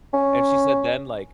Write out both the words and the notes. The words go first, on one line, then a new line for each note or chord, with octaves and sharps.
And she said then, like,
C#4